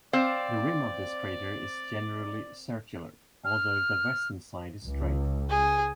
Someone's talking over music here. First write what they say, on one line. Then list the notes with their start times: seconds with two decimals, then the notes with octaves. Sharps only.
The rim of this crater is generally circular, although the western side is straight.
0.13 C4 C5 D5 F5
3.45 F6
4.85 C#2
5.50 G#4